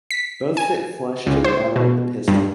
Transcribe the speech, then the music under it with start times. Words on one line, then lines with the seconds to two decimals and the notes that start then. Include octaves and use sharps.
Both fit flush to the bottom of the pistol.
0.11 B6
0.57 G#5
1.26 C#2
1.44 C5
1.76 B2
2.28 G2